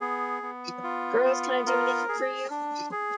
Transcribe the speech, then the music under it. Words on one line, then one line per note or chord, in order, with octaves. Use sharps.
Girls, can I do anything for you?
B3 G#4
B3
F4
B3
F4 A#4
G#4
D4
G#4